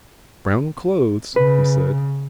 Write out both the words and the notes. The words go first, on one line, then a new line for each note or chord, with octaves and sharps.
"Brown clothes?" he said.
C#3 B4